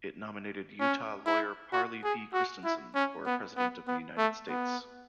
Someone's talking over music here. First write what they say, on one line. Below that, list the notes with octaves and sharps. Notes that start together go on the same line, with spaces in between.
It nominated Utah lawyer Parley P. Christensen for President of the United States.
C#4
E4
F#4
G#4
F#4
E4
C#4
B3
B3
B3
A3
B3